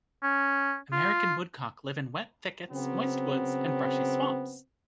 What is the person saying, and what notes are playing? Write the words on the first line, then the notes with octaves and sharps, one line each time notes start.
American woodcock live in wet thickets, moist woods, and brushy swamps.
C#4
F4
C#3 F#3 B3 C4